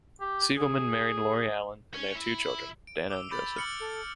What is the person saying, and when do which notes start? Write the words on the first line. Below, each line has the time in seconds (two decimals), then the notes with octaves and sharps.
Siegelman married Lori Allen, and they have two children, Dana and Joseph.
0.20 G4
0.58 G#4
1.94 C#4
2.15 E4
2.87 D7
3.10 D6 E6
3.31 B5 D6 G6 A6
3.56 F6 C#7 F#7
3.80 A4